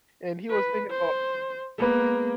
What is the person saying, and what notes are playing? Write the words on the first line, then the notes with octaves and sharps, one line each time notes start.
and he was thinking about
B4
C5
G#3 A#3 B3 B4